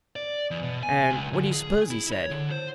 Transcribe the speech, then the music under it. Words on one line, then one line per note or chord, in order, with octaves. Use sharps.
And what do you suppose he said?
D5
E2
B2
G#5
C#2
D3
G#4
E4
C#5
D3
C5